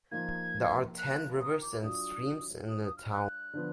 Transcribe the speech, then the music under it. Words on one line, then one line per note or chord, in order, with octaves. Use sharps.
There are ten rivers and streams in the town.
F3 A#3 D#4 G#6
F#6
D#6
D6
F#3 D4 F4 D#6
D#6
D#6
F6
F#6
D3 F3 B3